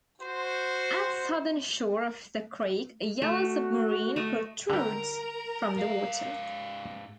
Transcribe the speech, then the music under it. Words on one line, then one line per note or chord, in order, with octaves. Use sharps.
At southern shore of the creek, a yellow submarine protrudes from the water.
F#4 C5
A3 F#4
A3 D#5
D3 G3 A#4 A#5
G#2 F5